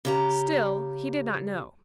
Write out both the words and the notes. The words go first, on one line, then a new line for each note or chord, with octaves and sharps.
Still he did not know.
C#3 G4 A#5